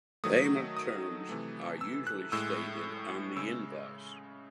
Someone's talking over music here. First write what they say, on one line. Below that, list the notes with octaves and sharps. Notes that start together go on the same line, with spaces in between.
Payment terms are usually stated on the invoice.
D#3 F#3 A3 D#6
D#6
C3 E3 A3
E6
F#6
A2 G#3 E6
C#3 G#3 E6